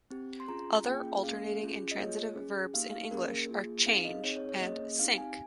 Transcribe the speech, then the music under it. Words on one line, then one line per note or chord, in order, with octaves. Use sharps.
Other alternating intransitive verbs in English are "change" and "sink".
C4 G4
C6
C#4 F4 G#4 A#5
A#3 C#4 F4 G#4 G5
A#3 C#4 G#4 F5
C#4 F4 G#4
D#5
A#3 F4 G#4 C#5
C#4 G#4
A#3 D#4 G4 F5
F5
A#3 C#4 G#4 A#4
A#3 F4 G#4
C4 D#4 G#4 F5
D#5
C4 D#4 G#4 C#5
C#5
C#5
A#3 C#4 G#4 D#5
C4 D#4 G4 F5
G#5